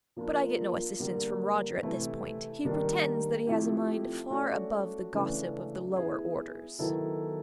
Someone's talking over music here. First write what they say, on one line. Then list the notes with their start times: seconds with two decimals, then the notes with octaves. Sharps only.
But I get no assistance from Roger at this point; he pretends that he has a mind far above the gossip of the lower orders.
0.16 F3 A#3 D4 F4
1.00 D3 G3 A#3
1.82 C3 E3 A3 C4 E4
2.65 D#3 G3 A#3 D4
3.47 F3 A3 C4 E4 G4
4.31 A3 C#4 F#4 A4 D5
5.13 C#3 E3 A3 D4
5.96 B3 E4 G#4
6.79 D#3 F#3 B3 E4 A4